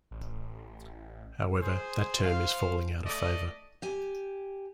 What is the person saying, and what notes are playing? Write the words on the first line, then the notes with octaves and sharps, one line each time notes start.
However, that term is falling out of favour.
A1
G#4 C5
C5 F5
A3 D5 D#5
G4 G#5